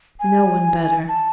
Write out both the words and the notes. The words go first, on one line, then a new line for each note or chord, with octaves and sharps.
No one better.
G#5
A5